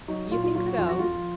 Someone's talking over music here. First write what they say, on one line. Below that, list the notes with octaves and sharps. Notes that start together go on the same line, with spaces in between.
"You think so?"
F#3 D#4
A#2 F4
F4
F#3 F4
F#4
F2 F4
F#4
F3 F4